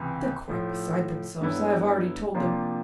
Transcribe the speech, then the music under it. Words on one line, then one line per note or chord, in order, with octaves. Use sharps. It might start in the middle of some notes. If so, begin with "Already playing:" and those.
"They're quite beside themselves; I have already told them..."
Already playing: C#2 C3 E3
A2 F3 A3
G2 D3 F#3 B3 E4
C3 F3 A#3 D4 F4